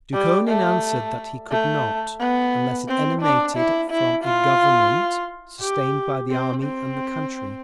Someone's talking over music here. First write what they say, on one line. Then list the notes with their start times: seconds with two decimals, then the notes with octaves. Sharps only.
Dukhonin answered that he could not, unless it emanated from "a Government sustained by the Army and the country."
0.14 G3
0.48 A3
1.51 A3
2.20 B3
2.88 C4
3.22 D4
3.57 E4
3.90 E4
4.24 F4
5.61 G4
6.30 C4
6.63 C4